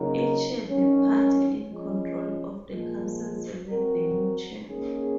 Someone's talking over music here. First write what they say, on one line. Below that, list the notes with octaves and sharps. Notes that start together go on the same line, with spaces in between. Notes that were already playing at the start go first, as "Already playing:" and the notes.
Each year the party in control of the council selects the new chair.
Already playing: C#3 F#3 A#3 D#4 A#4
D#3 F#3 C#4
F3 G#3 C#4
A#2 F3 G#3
F#3 C4 F#4 A#4
D#3 A#3 C#4 G#4